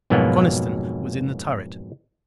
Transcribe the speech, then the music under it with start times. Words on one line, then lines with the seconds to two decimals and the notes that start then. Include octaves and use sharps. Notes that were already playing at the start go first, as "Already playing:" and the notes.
Coniston was in the turret.
0.10 F2 G#2 B2 F#3 A#3 B3